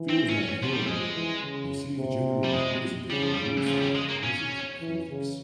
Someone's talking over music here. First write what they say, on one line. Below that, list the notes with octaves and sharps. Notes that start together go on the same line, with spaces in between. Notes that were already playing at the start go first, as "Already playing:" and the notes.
"Feels Like Home" received generally positive reviews from music critics.
Already playing: E3
C4
C#4
F3
G3
F3 G#3
E3
C#3
C3
G3
G#3
C#3 G3
F3
G3
C#3
F3
G3
G#3
A#3
C#4
E3
C#3